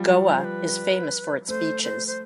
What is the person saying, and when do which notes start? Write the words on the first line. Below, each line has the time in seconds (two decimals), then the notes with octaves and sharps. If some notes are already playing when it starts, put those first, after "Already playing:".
Goa is famous for its beaches.
Already playing: F3 G3
0.36 C5
0.45 B4
1.48 A3 C5
1.83 C5
2.07 C5